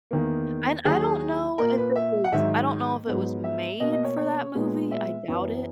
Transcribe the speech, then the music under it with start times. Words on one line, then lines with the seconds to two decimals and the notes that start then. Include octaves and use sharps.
and I don't know if it was I don't know if it was made for that movie- I doubt it-
0.11 E2 D#3 A#3
0.84 D#2 D#3 F#3 G#4
1.58 A#2 A#3 A#4
1.78 B4
1.96 E5
2.24 F#5
2.32 G#2 D#3 F#3 E5
3.07 G#2 F#3 B3
3.44 E5
3.80 B2 A#3 D#5
3.92 D#5
4.05 C#5
4.18 C#5
4.54 A#2 G#3 B3
4.91 E5
5.28 F#2 E3 B3